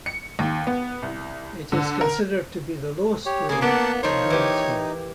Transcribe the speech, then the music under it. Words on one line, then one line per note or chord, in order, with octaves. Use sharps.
It is considered to be the lowest grade of green tea.
C#7
D#2
B3
C2
D3
A#4
G4 C#5
C#3 A#3 G#4 G#5
A#3 B3 D5 F#5 A5
F3 D#4 C5 C#5
E3 G4